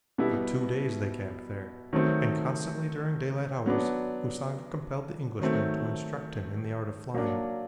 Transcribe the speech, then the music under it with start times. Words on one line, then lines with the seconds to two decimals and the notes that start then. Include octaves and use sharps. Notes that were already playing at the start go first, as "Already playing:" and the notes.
For two days they camped there, and constantly during daylight hours Usanga compelled the Englishman to instruct him in the art of flying.
0.18 B2 G3 B3 E4
1.93 D#3 F#3 A3 C4
3.66 F#3 B3 D4
5.40 D#3 F#3 A3 C4
7.14 F#3 A#3 D4